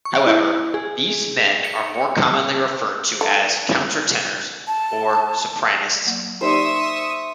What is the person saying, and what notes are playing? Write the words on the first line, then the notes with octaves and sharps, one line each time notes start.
However, these men are more commonly referred to as countertenors or sopranists.
C#6
E4
G#4
C#7
A4
A5
F#3 A#3
D#4 G4 C5 D5 E5 C#6 D#6